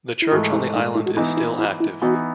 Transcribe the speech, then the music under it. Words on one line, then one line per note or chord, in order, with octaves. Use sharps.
The church on the island is still active.
E4
G#2 E3 A3 F#4
E4
D#4
E4
F#4
E3 B3 D#4 E4
E4
E4
E4
E3 B3 D#4 F#4